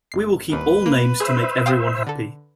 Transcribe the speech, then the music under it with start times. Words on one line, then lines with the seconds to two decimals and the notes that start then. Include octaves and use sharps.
We will keep all names to make everyone happy.
0.12 G1 C7
0.52 G1 D#2 D#3 B4
0.86 A#3
1.20 G#4 C5 E5
1.66 F5 G5 D#6
2.07 D3 A4